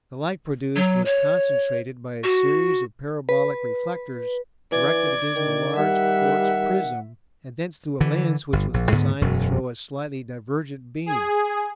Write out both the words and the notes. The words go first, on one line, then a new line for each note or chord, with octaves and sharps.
The light produced was concentrated by a series of parabolic reflectors, directed against a large quartz prism, and thence through a lens which was designed to throw a slightly divergent beam.
F#3
C#5
F#4
B4
E3 D5 G#6
D3 D#3
G3 E5 F#5
D3 E3
G1
A#1
D2 G#2 D3 B3
E1 F#2 B2
G#4